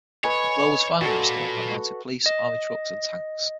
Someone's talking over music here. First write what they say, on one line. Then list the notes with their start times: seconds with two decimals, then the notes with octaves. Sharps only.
Law was finally restored by mounted police, army trucks, and tanks.
0.24 B4 C#5 D#5 G#5
1.01 A#2 F#4 A4
2.26 D#5